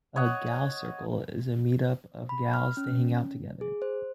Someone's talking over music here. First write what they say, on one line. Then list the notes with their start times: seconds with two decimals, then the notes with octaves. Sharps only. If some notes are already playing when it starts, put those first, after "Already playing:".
A "gal circle" is a meet up of gals to hang out together.
0.16 C#5 D#5 F#5
2.29 B5
2.54 F6
2.77 C#4
3.61 G#4
3.82 C5